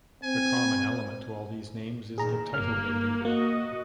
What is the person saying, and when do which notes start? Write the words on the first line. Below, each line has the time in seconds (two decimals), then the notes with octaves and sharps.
The common element to all these names is the title Lady.
0.23 C4 G#5
2.18 A#2 D#3 G#4 A#5
2.54 G1 A#3 F6
3.25 A#3 F#4 D#5